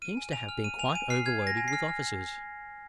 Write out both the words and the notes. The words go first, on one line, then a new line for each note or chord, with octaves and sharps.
He seems to have been quite overloaded with offices.
F6 D#7
G#5
G#5 F7
F6
F6 D#7
G#5 F7
G#5 D#7
F6 C7
F6 G#6
G#5
A#6
G#5
C7
F6
F6